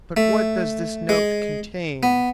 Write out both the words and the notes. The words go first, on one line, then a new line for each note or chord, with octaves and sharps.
"But what does this note contain?"
A3
G#3
B3